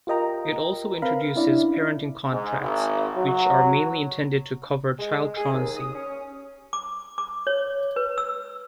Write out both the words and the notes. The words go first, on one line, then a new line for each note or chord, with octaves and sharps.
It also introduces 'parenting contracts', which are mainly intended to cover child truancy.
F4 G4 A#4 D#5 G5 A#5
C4 A#4 B4 F5 A#5 B5
C#4 D4 E4 D5
G#2
G#1
F#3
G#3
G#4
D#2
D#6
C#4
D6
D6
C#5
B4
E6